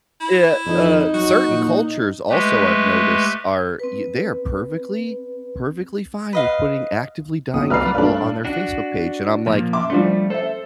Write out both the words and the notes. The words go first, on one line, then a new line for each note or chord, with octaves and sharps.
Yeah, uh, certain cultures also I've noticed are, y they are perfectly, perfectly fine with putting actively dying people on their Facebook page, and I'm, like,
E4
F2 D#4
F#3 F#4
A#2
G#3 A3 G4 B4
C4 B4
B4 D#5 F5
B1 D#6
C2 B4 D5 A#5 F6 C7
G2 A3 D4 F5
D4 F#4
A#2 F3 A#3
E5 C6 D6
F3 G3 A3 D4
A4 C5 E5